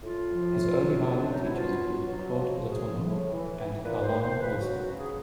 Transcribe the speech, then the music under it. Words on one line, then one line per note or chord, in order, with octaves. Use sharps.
His early violin teachers include Claude Letourneau and Carlisle Wilson.
A2 F4
F3
A2
F#3
C3
D4
F#3 D#4
E4
B2 F4
F#3
F#3
F3 F#4
C#3
G#4
F3
A2
E3
E3
A#2 B4
C5
A#2
C5
F3
B4
F#3 F#4
F#4
C#3
G#4